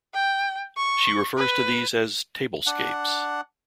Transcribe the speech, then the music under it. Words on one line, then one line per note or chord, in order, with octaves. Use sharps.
She refers to these as "tablescapes".
G5
C#6
B4
D4 F#5